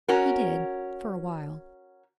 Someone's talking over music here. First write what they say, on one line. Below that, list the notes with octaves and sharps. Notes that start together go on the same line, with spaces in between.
He did--for a while.
C#4 F#4 A#4